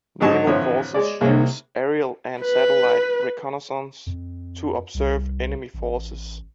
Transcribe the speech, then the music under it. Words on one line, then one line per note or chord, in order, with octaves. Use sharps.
Naval forces use aerial and satellite reconnaissance to observe enemy forces.
G#2 D3 F#3 D#4 A5 C#6
A1 F2 D3 F3 C#5
G#3 C#5 D5
C2 G#3 A#3 C#5
B4
F2
C2
A1